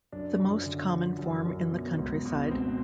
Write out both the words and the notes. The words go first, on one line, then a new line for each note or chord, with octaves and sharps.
The most common form in the countryside.
F#2 D4
F#2
D3
F3
F#2
F#2
B2
C#2
B2
C#2 C4